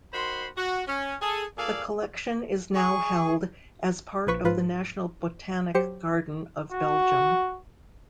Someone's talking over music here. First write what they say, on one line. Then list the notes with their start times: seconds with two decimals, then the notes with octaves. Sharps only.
The collection is now held as part of the National Botanic Garden of Belgium.
0.14 D#3 F#4 C5 B5 C6
0.57 F#4
0.87 C#4
1.22 G#4 A4
1.57 A#2 G#4 A4 D5 F5 G#5
2.74 G#4 C#6
4.27 A#1 F3 B4 C#6 B6
4.44 G#2 F3 F4 B4
5.74 F#3 G4 C5 C#7
6.72 F#4